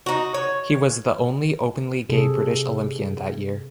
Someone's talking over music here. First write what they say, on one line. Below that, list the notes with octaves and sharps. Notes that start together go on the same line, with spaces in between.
He was the only openly gay British Olympian that year.
D#4 F#4
C#5
C3 G#4 A4